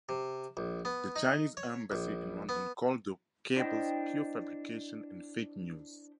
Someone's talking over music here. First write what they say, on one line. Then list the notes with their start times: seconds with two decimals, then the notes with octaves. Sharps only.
The Chinese embassy in London called the cables "pure fabrication" and "fake news".
0.09 C3
0.57 A#1
0.85 B3
1.16 D#4
1.57 C#5
1.92 A#1
2.49 B3
3.56 D4 E4 C5 D#5 F#5 G5